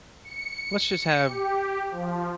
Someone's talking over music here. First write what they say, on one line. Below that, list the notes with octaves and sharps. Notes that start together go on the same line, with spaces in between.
let's just have,
C#7
G4
F3